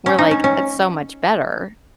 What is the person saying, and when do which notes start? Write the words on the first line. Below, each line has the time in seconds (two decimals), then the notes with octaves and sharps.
we're like, "It's so much better."
0.06 C#4
0.18 D#4
0.31 C#4
0.44 C#4